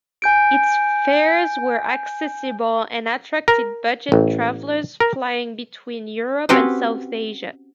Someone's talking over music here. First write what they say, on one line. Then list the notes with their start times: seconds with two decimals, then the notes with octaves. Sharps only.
Its fares were accessible and attracted budget travellers flying between Europe and South Asia.
0.22 G#5 G6 D7
3.48 A#4
4.12 A1
5.00 A#4
6.49 C4 C#4 F#4 G4 B4 C5